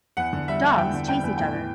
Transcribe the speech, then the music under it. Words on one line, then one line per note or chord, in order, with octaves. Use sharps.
Dogs chase each other.
E2 F#5
D3
G3 E5
E2
E2 G5
D3
G3 G5
E2
A2 G5
E3